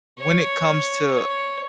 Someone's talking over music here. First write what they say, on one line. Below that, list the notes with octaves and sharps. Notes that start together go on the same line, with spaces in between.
when it comes to
C#5
C#5